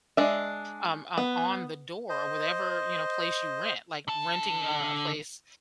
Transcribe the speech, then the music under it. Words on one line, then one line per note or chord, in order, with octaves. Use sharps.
um, um, on the door, whatever, you know, place you rent, like, renting a a place
G#3 D4 E5
B3
C5 D#5
D3 A5